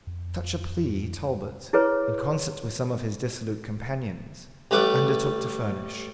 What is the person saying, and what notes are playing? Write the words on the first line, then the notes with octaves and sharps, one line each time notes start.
Such a plea Talbot, in concert with some of his dissolute companions, undertook to furnish.
F2
E4 G#4 B4 C#5
A1 G3 A3 B4 F#5 D6